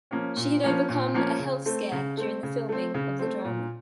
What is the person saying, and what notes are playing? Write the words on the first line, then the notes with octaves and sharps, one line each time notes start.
She had overcome a health scare during the filming of the drama.
F3 A#3 C#4
A#2
F3 A#3 C#4
A#2
F3 A#3 C#4
C#3
A3 C4
C#3
A3 C4
C#3
A3 C4
C#3
A3 C4
A#2